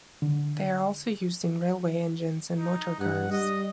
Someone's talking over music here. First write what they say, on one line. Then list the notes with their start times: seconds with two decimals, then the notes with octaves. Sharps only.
They are also used in railway engines and motor cars.
0.22 D3
2.57 D#4
3.00 G2 F#5
3.31 G3 D#5